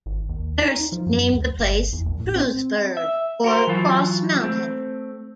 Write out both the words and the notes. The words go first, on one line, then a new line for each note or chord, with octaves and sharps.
Durst named the place "Kreuzberg" or Cross Mountain.
G#1
D#2
D#4
F3
F#2
D2
G1
E2
A#1
A2
C4
E5
F#4 A#4 C5
E3 F#3 F4
A3 C4